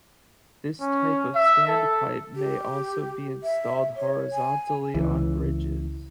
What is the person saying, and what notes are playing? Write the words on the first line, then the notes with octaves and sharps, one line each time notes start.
This type of standpipe may also be installed horizontally on bridges.
C#4
E5
A4
G4
E5
C#5
G#5
C#2 E3